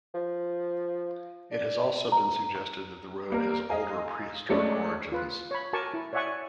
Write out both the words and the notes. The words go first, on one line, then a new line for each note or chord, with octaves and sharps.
It has also been suggested that the road has older prehistoric origins.
F3
D4
A#5
G3 A#3 A#4
D#5 F5 G#5 A#5
F#3 G#3 A3 C#4 D4
F4 B4
C#5 B5
F#4 A#4 G#5 A5 C#6 D6
E4
C#5 D5 E5 F#5 G#5 C#6